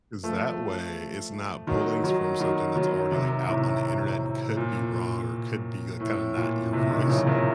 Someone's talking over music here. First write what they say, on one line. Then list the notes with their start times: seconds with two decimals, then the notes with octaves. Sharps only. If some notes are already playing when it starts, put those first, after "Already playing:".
'Cause that way, it's not pulling s from something that's already, like, out on the Internet and could be wrong or could be, like, kinda not your voice,
0.23 F3 A3
1.67 D#3 F#3
2.04 D#3 F#3
2.40 D#3 F#3
2.76 D#3 F#3
3.12 C3 D#3
3.48 A2 C3
4.57 A#2
6.00 A2
6.37 A#2
6.72 A2 C3
6.91 C3 D#3
7.09 C#3 F3
7.27 C3 D#3